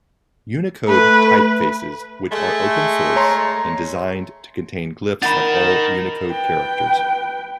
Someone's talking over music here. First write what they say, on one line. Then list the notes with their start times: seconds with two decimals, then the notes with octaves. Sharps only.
Unicode typefaces which are open-source and designed to contain glyphs of all Unicode characters.
0.89 A3 B4
2.32 G#3 A3
3.16 C#5 A#5 C6
5.22 D#4 A#4 F#5 B5 A6
6.30 B4 G5